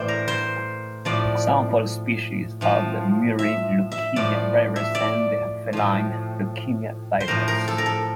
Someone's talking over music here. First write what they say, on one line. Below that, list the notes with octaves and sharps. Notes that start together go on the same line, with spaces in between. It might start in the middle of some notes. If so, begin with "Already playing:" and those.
Example species are the murine leukemia virus and the feline leukemia virus.
Already playing: A2 E3 C5 D5
A#4
C5
A2 F3 D5
A2 F3
E5
E5
A2 F3 D5
E5
D5
A2 F3
C5
A2 F3 A#4
A#4
A4
A#4
A4